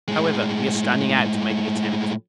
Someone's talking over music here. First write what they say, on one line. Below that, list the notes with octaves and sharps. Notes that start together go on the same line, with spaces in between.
However, we are standing out to make the attempt.
A2 G#3